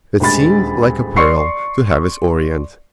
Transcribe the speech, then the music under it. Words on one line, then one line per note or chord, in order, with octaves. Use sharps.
It seemed, like a pearl, to have its orient.
D#1 D2 G#3 G#4 B5 A6
D5 C6 C#6 C7 C#7